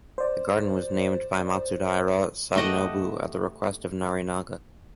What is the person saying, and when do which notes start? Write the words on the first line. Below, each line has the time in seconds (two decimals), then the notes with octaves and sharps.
The garden was named by Matsudaira Sadanobu at the request of Narinaga.
0.18 C5 D5
2.56 A3 G4 D#5 F#5